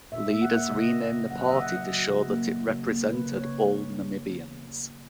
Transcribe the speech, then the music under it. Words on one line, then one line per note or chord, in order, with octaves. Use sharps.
Leaders renamed the party to show that it represented all Namibians.
A#2 E5
E5
A#3
F#5
A#3 E5
C#3 D#5
C#3
C#3
F#3 F#5
D#5
D#3 E5
F#5
F#3
D#5
F#3
C#3
A#3
A#3
C#3
A#3
C#3 B4
C#3
C#5
C#3